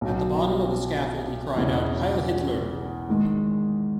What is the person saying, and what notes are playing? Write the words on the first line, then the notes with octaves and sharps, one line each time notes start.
At the bottom of the scaffold he cried out "Heil Hitler!".
B1 B2 F#3
E1 E2 C#3
G#2 D#3 G#3